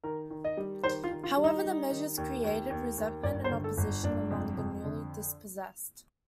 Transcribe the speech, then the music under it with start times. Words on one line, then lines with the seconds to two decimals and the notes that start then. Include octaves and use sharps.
However, the measures created resentment and opposition among the newly dispossessed.
0.04 D#3 A#4
0.30 D#3
0.44 D#5
0.57 G3
0.83 D#3 C5
1.04 F4
1.11 D#3
1.23 F4
1.37 G3
1.44 D#4
1.64 G3
1.91 D#3
2.18 D#2
2.44 D#2
2.70 D#2
2.98 D#2
3.23 G1 D5
3.44 C5
3.50 D3
3.64 A4
3.77 G1
4.03 G1 D4
4.31 F2
4.58 F2
4.84 D3